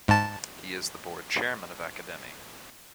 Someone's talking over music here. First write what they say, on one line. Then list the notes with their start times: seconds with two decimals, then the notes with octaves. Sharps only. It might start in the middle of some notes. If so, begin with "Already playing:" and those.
He is the board chairman of Academi.
0.08 G#2 A5